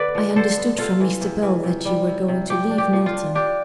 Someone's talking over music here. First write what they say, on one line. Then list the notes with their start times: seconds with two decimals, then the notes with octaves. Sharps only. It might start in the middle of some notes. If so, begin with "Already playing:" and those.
I understood from Mr. Bell that you were going to leave Milton.
Already playing: D3 B4 D5
0.15 F3
0.36 D3 A4 C5
0.57 B3
0.78 C3 F4 A4
1.00 E3
1.21 C3
1.43 E3
1.64 C3
1.85 G3
2.07 C3
2.28 C3
2.50 F3 G4
2.71 D4
2.78 G4
2.93 F3
3.06 F4
3.13 D4
3.35 D4 G4